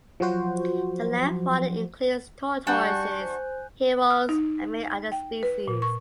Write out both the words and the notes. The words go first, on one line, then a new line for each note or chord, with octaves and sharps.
The land fauna includes tortoises, herons and many other species.
F3 F#3 F#4 C5
G3 D4 F#4 G#5 C#6 F#6 G6
C5
F6
D#4
G5
B4
A#2
C#6